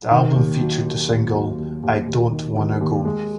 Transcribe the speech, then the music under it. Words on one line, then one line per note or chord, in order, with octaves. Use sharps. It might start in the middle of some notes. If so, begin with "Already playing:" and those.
The album featured the single "I Don't Wanna Go".
D#3
D#2
F#3
D#3
D#2
F#3
D#2
D#2
D#2
D#3
D#3
D#2
G#3